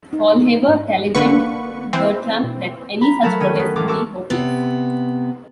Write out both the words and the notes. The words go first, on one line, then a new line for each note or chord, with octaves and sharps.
Faulhaber telegrammed Bertram that any such protest would be "hopeless".
D#4
G#2
G1 D3 A#3 B4 F#5 C#6
E3 C4
B2
A#5 B5
F#3 A3 A#4 A5 B5 A6
D#3 C#4 D#7
F#3 B3
A1 F4 D6
F#4 A#4 A5 C#6 D6 E6
C3 B3